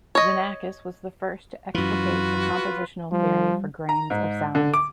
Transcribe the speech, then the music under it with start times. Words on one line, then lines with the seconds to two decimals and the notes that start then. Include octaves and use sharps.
Xenakis was the first to explicate a compositional theory for grains of sound.
0.15 C#5 D#5
1.75 F#2 E3 F4 F#4 B4
3.12 F3 G3
3.89 A#5
4.10 G#2
4.55 D3
4.74 D6